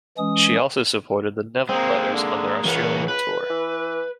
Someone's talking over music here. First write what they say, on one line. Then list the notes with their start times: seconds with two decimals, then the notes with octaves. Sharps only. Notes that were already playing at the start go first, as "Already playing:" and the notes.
She also supported the Neville Brothers on their Australian tour.
0.18 E3 G#3 C#4 D#6
1.69 G#3 A#3 C4
2.14 D3
2.65 C#2 E3 A#4 F#5
3.08 B4
3.50 E3